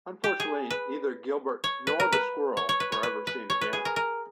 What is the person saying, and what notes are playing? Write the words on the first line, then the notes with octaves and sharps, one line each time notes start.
Unfortunately, neither Gilbert nor the "Squirrel" were ever seen again.
G4
G#4
B4
C#5
B4
A#4
B4
C#5
C#5
B4
C#5
B4
B4
C#5
B4
G#4
A#4
A#4